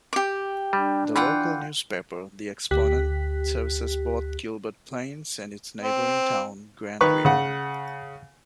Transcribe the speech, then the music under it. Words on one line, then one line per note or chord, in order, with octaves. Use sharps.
The local newspaper, The Exponent, services both Gilbert Plains and its neighboring town, Grandview.
G4 D6
G3 D4
E3 F4 F#5 G5
D2 G4 F#6 B6
C4
D#3 B4 C#6
C#3 F#5